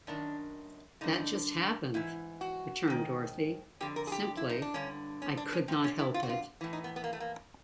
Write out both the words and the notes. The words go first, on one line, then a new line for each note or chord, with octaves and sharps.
"That just happened," returned Dorothy, simply; "I could not help it."
F#2 D#3 D4
G2 D3 D#4
G#2 E3 E4
F#4
G#2 D#3
F2 D3 G4
A#4
G#4
G4
E4
D#4
D4
G2 D3 C#4
C#4
D4
C#4
F#2 D3 C4
C#4
E4
F4
F#4
F4
A2 E3
D#4
B3
B3
A#3
A3
A#3